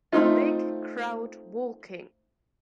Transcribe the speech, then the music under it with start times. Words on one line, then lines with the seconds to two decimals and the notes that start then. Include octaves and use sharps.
A big crowd walking.
0.13 A3 C4 D#4 F4